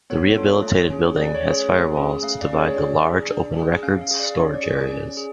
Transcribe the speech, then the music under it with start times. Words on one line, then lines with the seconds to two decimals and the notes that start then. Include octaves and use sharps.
The rehabilitated building has firewalls to divide the large, open records storage areas.
0.10 B3 C#5
0.36 D4 F4 A4
0.62 A3
0.90 C#4 G#4
1.16 A3 D5
1.35 C#5
1.44 C#4 G#4
1.52 C#5
1.70 A3
1.97 C#4 G#4
2.23 A3 F5
2.41 D5
2.50 C#4 G#4
2.58 C#5
2.76 D4 D5
3.03 G#4
3.30 D4
3.57 G#4
3.83 C#4 F5
4.01 F5
4.11 G#4
4.19 D5
4.36 C#4 C#5
4.54 D5
4.63 G#4
4.73 D5
4.90 C#4
5.17 G#4